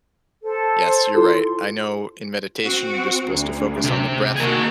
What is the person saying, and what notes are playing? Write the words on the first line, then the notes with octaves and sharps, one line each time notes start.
yes, you're right. I know in meditation, you're just supposed to focus on the breath.
A4 C5
E4 F4 A4 C6
C4 F#4
D2
C3
D#3 A#3 F#4 G#4 A#4